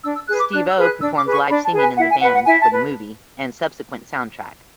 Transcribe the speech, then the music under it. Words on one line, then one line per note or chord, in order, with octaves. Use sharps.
Stevo performs live singing in the band for the movie and subsequent soundtrack.
D4 E6
E6
G#4 B4 F#6
D6
D4 F#6
E6
G#4 B4
F#6
D4 E6
D6
G#4 B4
C#6
D4 B5
A5
G#4 B4
G#5
E4 F#5
G#5
B4 F#5
F#5
E4 G#5
A5
B4